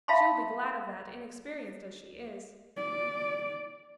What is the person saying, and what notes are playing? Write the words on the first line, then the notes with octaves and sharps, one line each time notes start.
She will be glad of that, inexperienced as she is.
E5 F5 A5 B5 C6
D5